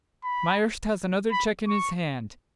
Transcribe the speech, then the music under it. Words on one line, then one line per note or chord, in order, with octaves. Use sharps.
Myerst has another cheque in his hand.
B5
B5
C#6